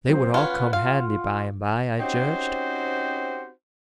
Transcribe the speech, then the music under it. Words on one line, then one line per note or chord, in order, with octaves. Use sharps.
They would all come handy by and by, I judged.
F#3 C4 C5
C#4 F4 B4 F#5
F4 F5
C4 C#4 D#4 F#4 G4 C5